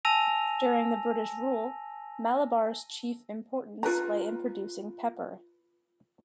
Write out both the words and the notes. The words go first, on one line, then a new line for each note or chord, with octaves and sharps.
During the British rule, Malabar's chief importance lay in producing pepper.
G#5 A5 E6 A#6 D#7 F7
F4 A#4 B4 A#5